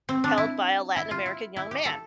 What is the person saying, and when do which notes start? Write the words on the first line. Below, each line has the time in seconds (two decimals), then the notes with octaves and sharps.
held by a Latin American young man.
0.09 C4
0.24 D4
0.38 E4
0.96 E4
1.11 F4
1.26 E4
1.56 E4
1.71 G4
1.85 A4